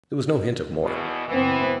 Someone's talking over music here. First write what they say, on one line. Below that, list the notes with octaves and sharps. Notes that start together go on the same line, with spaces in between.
There was no hint of more.
E2 B2
F#1 E3 B3 C4